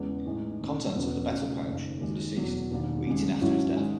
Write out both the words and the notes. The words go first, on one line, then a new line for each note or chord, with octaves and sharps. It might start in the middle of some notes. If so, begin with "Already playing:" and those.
The contents of the betel pouch of the deceased were eaten after his death.
Already playing: E2 C#3 G#3 B3
A2 E3 G#3 D#4
E1 D#2 C#3
E1 E2 C#3 F#3 B3
C#2 B2 A3
F#1 F#2 D#3
D#2 D#3 G#3
E2 B2 F#3
E1 D#2 D#3
D#2 C#3 G#3
G#2 F#3 C#4 E4
D#3 G#3